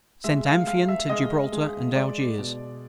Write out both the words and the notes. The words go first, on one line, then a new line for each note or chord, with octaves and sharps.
Sent Amphion to Gibraltar and Algiers.
G#3 E5
F5
G#3 F5
E5
G#3 D#5
G#3
G#3 D5
B2